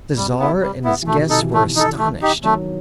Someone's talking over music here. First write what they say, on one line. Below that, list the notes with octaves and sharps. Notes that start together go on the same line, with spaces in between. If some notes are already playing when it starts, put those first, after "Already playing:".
The Tsar and his guests were astonished.
C3 G3
B3 E4
G3
B3 E4
E3
B2 D#3 A3
C3
B2 D#3 D#4 A4
C3 E3
A3
D#4 A4
A3
D#4 G4
D#3 F#3 A3